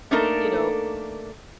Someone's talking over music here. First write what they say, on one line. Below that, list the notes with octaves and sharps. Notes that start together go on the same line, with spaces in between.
you know
A3 A#3 D4 D#4 A4 A#4